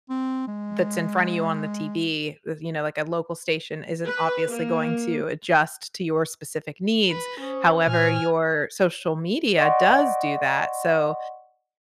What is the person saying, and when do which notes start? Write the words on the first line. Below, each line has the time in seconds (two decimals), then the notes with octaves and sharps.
that's in front of you on the TV, y you know like a local station isn't obviously going to adjust to your specific needs. However, your social media does do that. So,
0.10 C4
0.48 G#3
4.04 B4
4.50 A#3
7.10 B4
7.40 C#4 C5 C#6 D#6
7.87 A#2 G#5 F6
9.58 D5 D#5 F#5 G5 C6 C#6